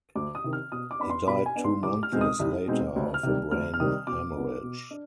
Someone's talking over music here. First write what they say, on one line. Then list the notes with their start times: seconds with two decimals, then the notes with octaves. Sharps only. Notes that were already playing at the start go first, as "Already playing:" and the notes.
He died two months later of a brain hemorrhage.
0.15 D2 D6
0.35 D#6
0.44 C3 D#3
0.53 F6
0.72 B2 D#6
0.91 D6
1.00 B3 D4 B5
1.10 C6
1.27 B2 B5
1.46 G#5
1.56 B3 D4
1.64 C6
1.83 C2 D6
2.03 F6
2.12 B2 G#3 C4 D#4
2.21 D#6
2.39 C2
2.68 B2 G#3 C4 D#4
2.96 D2
3.14 F6
3.23 C3 D#3 G3
3.51 D2 F6
3.74 F6
3.80 C3 D#3 G3 D#6
4.07 B2 D6
4.36 B3 D4
4.63 B2
4.91 D4